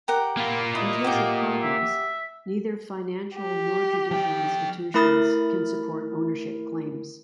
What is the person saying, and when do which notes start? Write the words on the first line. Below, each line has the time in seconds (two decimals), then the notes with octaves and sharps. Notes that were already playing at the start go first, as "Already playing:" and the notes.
In case of problems, neither financial nor judicial institutions can support ownership claims.
0.08 G4 A#4 F#5
0.37 A#3 E4 F4
0.75 E4 D#5
1.04 F#4 G4
1.61 E5
3.35 G4
4.11 F3 G5
4.94 A3 E4 A#4 B5 D#6 A6